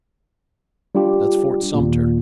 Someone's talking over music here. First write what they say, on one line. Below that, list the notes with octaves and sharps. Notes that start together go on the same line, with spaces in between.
That's Fort Sumter.
G3 D4 F4 G4
D#2 A#2